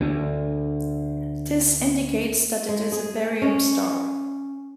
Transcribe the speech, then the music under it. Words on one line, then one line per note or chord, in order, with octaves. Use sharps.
This indicates that it is a Barium star.
D2 D4
G#3
G#4
C#4